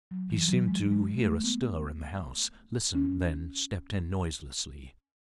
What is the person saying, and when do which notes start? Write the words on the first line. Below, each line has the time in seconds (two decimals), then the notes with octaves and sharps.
He seemed to hear a stir in the house--listened--then stepped in noiselessly.
0.11 F#3
0.30 E3
0.48 F#3
0.68 G#3
0.92 G#3
1.18 A3
1.44 B3
2.95 C#4